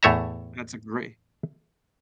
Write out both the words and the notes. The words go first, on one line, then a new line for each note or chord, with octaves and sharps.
That's a grea
E2 A2 A3 C#5 E5 A#5